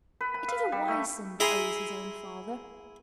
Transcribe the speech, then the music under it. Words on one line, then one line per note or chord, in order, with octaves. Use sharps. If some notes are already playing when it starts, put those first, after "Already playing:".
It is a wise son that owes his own father.
B4
B5
F5
G3
A3
E4 G#4 G#5 A#5 C6